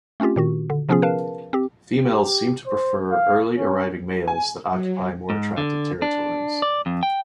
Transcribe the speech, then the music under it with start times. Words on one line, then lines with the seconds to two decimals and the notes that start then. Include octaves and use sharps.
Females seem to prefer early arriving males that occupy more attractive territories.
0.20 A3 C4 C#4 F4 G4
0.36 A#2 D#3 F#4
0.70 D3
0.89 C3 F3 B3 C#4 F4 G#4
1.02 A#4 B4 F5 A5
1.53 C4 G4
1.98 G4
2.66 C5
3.11 F5
3.58 C#4
4.28 G#5
4.70 F#3
5.30 G#2
5.57 D3
6.02 D4
6.62 D5
6.86 F2
7.03 G5